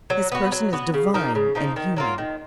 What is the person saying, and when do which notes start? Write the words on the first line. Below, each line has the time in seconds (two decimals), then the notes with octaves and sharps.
His person is divine and human.
0.10 F#3
0.32 B3 F#4
0.52 F#3
0.73 B3 F#4
0.94 C#3
1.14 F3 A#3 D#4
1.35 C#3
1.55 F3 A#3 D#4
1.76 D#3
1.96 F#3 A#3 F4
2.18 D#3